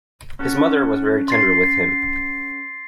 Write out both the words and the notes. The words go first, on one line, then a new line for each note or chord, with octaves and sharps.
His mother was very tender with him.
C#4 F#4 A4
C6 A6 C7